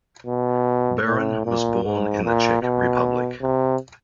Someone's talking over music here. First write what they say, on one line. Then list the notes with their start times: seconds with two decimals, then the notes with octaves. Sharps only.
Beran was born in the Czech Republic.
0.26 B2
1.06 A2
1.45 A#2
1.83 G#2
2.24 A#2
2.62 B2
3.41 C3